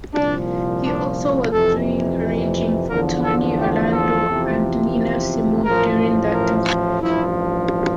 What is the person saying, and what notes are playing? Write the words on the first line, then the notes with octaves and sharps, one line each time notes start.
He also was doing arranging for Tony Orlando and Nina Simone during that time.
C2 A#2 F3 D4
D4
F2 C3 E3 A4
E2 D3 F3 A#4
A4
G4
A4
E2 C3 F3
A1 A2 F3 A#4
A#4
A1 G2 F3 E4